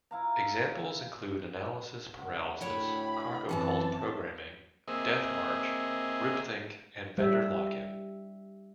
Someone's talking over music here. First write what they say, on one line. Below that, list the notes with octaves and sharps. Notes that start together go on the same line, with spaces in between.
Examples include analysis paralysis, cargo cult programming, death march, groupthink and vendor lock-in.
E4 F5 A#5
C#2 F#2 F#5
D2 A2 C#5 F#5 G5 B5
F#2 E3 F3 C4 F#5 A5
A#3 C4 G#4 D#5 E5
G3 E5